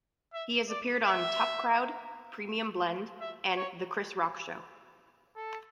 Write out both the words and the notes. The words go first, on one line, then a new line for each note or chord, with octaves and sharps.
He has appeared on "Tough Crowd", "Premium Blend", and "The Chris Rock Show".
E5
D5
E5
E5
C#5
A4